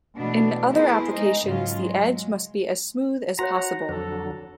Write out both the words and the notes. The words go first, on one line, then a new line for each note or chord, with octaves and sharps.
In other applications the edge must be as smooth as possible.
B2 E3 A3 B3 D4
B3 E4 G#4 A#4 C5
G#3 D#4
G#2 C#3 F#3 F4
F#3 G#3
F#4 C5 C#5 F#5 A#5
F2 D3 F#3 A4 C5